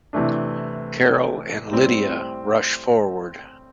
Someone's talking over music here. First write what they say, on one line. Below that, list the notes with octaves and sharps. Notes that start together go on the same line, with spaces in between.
Carol and Lydia rush forward.
C3 E3 A3 D4
A2 G3 C4